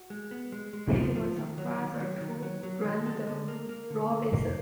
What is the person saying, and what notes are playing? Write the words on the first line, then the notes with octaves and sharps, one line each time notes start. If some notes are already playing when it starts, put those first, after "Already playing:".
He was a brother to Randall Robinson.
Already playing: F#4
G#3
B3
G#3
G#3
F3
F3
D#3
F#3
D#3
F#3
D#3
F#3
F#3
D#3
D3 A4
D3
A#3
A#3
D3
D3
A#3